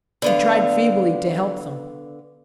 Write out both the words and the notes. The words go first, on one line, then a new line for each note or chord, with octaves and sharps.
He tried feebly to help them.
D3 B3 F5